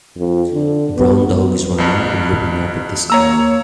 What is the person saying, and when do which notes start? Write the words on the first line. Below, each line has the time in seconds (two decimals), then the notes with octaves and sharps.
A brown dog is running and looking up at the sky.
0.17 F2
0.53 D3
0.97 B3
1.78 A#1 F2
3.10 A#3 C#5 A#5 E6